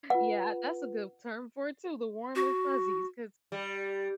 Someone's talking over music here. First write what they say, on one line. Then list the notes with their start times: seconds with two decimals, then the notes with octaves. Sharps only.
Yeah, that's a good term for it, too, the warm and fuzzies 'cause
0.10 F4 B4 F#5
2.35 F#4
3.52 G3